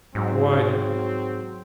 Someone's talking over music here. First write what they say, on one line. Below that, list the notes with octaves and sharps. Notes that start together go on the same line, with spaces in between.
"Why then?"
G#2 F#3 C4